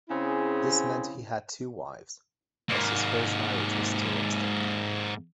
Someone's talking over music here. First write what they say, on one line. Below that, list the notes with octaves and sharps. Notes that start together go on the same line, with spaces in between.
This meant he had two wives, as his first marriage was still extant.
C#3 C4 E4 G#4
G#2 A#3